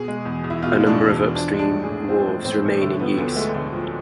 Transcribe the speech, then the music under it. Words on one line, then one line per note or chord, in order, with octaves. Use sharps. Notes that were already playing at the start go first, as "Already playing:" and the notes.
A number of upstream wharves remain in use.
Already playing: B2 G#4
G#3
E2
E2
E4
B2 F4
G#3
D4
E2
D4
E2
F3 D4
G#3
D4
A2
G#4
A2
F3 C4
G#3
A2 C4
A2
D3 A3
F3 B3
D2 B3
G#3 A3
D3 A3
F3